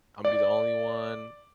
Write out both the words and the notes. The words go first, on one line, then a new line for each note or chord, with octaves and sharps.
I'll be the only one
D5